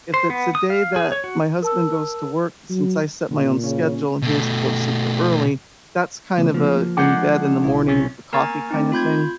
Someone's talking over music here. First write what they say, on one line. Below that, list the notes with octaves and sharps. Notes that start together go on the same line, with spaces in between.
if it's a day that my husband goes to work, since I set my own schedule and he has to go super early, that's kind of a in-bed, in-the-morning-with-the-coffee kinda thing,
C5
B3
D#6
F5
G#4
C#5
F#4
A#4 A5 E6
F#3
A#2 D3
C#3 C#4
B2 A3
C#3 A3 B3
F3 A#3
D3 G#3 F#5 D6 G6
B1 E4
C3 C#4
A#3 A#4 G#5 A#5 C#6 A6
A3 C4 D#4
F4 B5 G6 G#6